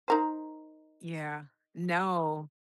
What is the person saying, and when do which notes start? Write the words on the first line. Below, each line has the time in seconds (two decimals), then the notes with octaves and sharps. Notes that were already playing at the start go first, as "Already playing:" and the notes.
Yeah. No.
0.08 D#4 A#4 C5